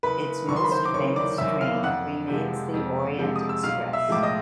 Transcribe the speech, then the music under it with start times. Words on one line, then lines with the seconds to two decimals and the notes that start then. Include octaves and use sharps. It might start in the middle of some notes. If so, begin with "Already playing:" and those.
Its most famous train remains the Orient-Express.
0.03 F#1 B4 B5
0.48 F#2 C#6
0.51 D#3 C6
0.64 B5
0.72 C5 C6
0.85 D6
0.94 F#1 C#5 C#6
1.16 D5 D6
1.38 F#2 D#3 E5 E6
1.61 F5 F6
1.83 F2 F#5 F#6
2.28 C3 F3 G#3
2.74 F2
3.18 C3 F3 G#3
3.36 D#6
3.49 E6
3.63 B1 F5 F6
3.93 E5 E6
4.08 A2 F3 G#3 D6
4.23 D#5 D#6